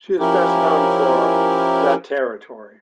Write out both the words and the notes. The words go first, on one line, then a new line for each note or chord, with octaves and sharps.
She is best known for "The Territory".
F3 C#4 E4 G4 A#4